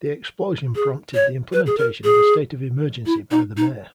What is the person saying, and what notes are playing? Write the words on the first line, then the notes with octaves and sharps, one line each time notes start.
The explosion prompted the implementation of a state of emergency by the mayor.
G#4
C#5
B4
G#4
A#4
G#4
E4
D#4
D#4